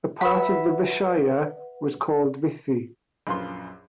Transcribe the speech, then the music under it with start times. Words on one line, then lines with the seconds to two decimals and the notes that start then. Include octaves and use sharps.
A part of the "Vishaya" was called "Vithi".
0.21 B4 E5 F#5 B5
3.27 A#1 F#2 F4 B4 C6